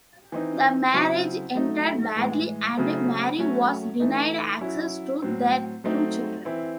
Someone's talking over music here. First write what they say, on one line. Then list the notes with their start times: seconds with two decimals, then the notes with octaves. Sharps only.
The marriage ended badly and Mary was denied access to their two children.
0.32 E3 C4 D#4
0.93 C#3 F#3 C4 E4
1.55 F#3 A3 D#4
2.15 A2 E3 G#3
2.77 C#3 F#3 A3 C4
3.38 F#3 A3 C#4
4.00 E3 A3 D#4
4.61 F#3 C#4 E4
5.22 A2 F#3 C4
5.84 F#3 A3 C4 D#4
6.45 E3 C4 E4